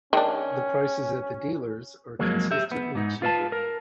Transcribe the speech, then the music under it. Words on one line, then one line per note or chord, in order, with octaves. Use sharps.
The prices at the dealers are consistently cheaper.
D#3 C#4 D4
F2 F#3 G#3 A#3
G4 E5
B3
G#2 D#4
F4 B4 E5 A5
A#4